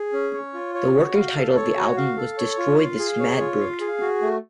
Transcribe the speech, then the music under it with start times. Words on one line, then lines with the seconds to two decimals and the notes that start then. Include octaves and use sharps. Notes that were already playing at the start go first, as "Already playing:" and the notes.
The working title of the album was Destroy This Mad Brute!
Already playing: G#4
0.13 C#4
0.33 C#5
0.54 F4
0.75 C#5
0.95 F#4
1.15 F5
1.36 A4
1.56 C#5
1.77 F#4
1.97 F5
2.17 A4
2.38 C#5
2.58 F4
2.79 F5
2.99 G#4
3.20 C#5
3.40 F4
3.60 F5
3.81 G#4
4.01 F#4
4.22 A3